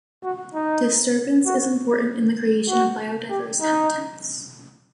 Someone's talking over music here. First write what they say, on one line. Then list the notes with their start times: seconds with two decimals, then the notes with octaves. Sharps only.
Disturbance is important in the creation of biodiverse habitats.
0.24 F#4
0.54 D#4
1.46 F#4
2.69 F#4
3.30 G4
3.61 D#4